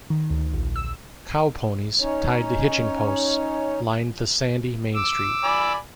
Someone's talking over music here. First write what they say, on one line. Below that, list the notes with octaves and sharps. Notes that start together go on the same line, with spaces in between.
Cow ponies, tied to hitching posts, lined the sandy Main Street.
D#3
D2
A#1
E6
C#4 D#4 C#5
D6 E6
D5 G#5 B5